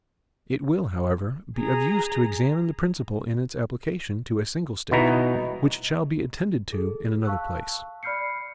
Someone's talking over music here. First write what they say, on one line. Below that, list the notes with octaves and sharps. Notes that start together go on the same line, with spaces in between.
It will, however, be of use to examine the principle in its application to a single State, which shall be attended to in another place.
G#4 A#5
B2 B3 D#4 E4 A#5
G#4 A4
F5 A5 C#6 E6 F#6
D5 B5 F6 G6 C7 C#7